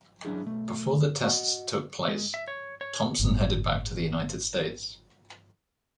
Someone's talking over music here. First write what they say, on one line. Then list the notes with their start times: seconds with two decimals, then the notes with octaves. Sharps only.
Before the tests took place, "Thompson" headed back to the United States.
0.25 F#3 C#4 D4 E4 G#4
0.45 B1 A3
1.21 F#4 D#5 F#5
2.08 G#3
2.34 E5
2.48 C#5
2.81 C#5
3.20 G1 A2